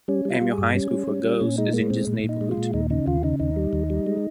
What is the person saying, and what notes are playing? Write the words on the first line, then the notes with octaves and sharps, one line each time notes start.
Amil High School for Girls is in this neighborhood.
G3 C#4
G3
F4
G3
G#4
G2
G3 C#4
G3
G3
G3
A#2 C#4
G#3 D#4
G#3 A#3
A#2 C4
A#2
A#2
D#4
G#3
F4
A#2
D#2 D#4
C#3 D#4
D#2 F4
C#3 D#4
D#2 D#4
G3
D#2
G3
G#3